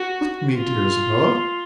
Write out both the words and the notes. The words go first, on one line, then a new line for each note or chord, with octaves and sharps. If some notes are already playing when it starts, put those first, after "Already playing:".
"With me, dear Isabella!"
Already playing: F#4
F4